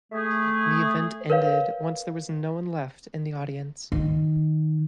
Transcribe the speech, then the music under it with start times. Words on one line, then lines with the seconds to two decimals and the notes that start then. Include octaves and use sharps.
The event ended once there was no one left in the audience.
0.12 A3 G#4
1.30 A#4 B4 C#5 F5
3.92 D#3